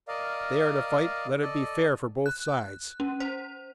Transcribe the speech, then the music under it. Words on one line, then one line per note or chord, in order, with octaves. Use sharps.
If they are to fight, let it be fair for both sides.
A#4 D5 D#5 F5
A4 D5 D#5
F#6
C#4
C5